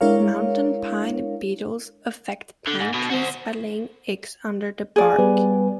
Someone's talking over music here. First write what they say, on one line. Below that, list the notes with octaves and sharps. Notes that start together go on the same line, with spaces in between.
Mountain pine beetles affect pine trees by laying eggs under the bark.
G#3 D4 E4 A#4 C#5 F5
D3
G#2
B2
F#4 C5
G#4 D5
G3 B3 B4